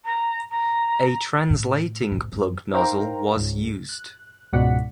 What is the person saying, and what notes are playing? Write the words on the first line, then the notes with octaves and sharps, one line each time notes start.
A translating plug nozzle was used.
A#5
A#5
A2
A1 D2
F#2
D#4 A#4 C5 F5 G5 A#5
C#2 G#2
F#6
C#2 G#2 B2 D5 F#5 B6